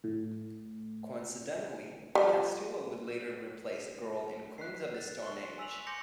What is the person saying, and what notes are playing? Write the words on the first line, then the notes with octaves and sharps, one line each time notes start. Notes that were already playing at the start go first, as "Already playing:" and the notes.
Coincidentally, Castillo would later replace Grohl in Queens of the Stone Age.
A2
F3 G3
F#6 B6 C7
A6
C6 C#6
G#5 E6 B6 F7 F#7
G#5 C6 D6 G6 A#6 C#7